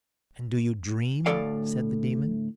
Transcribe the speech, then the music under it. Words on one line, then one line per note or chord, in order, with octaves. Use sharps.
"And do you dream?" said the daemon.
D2 A2 G#3 A4 D5 F5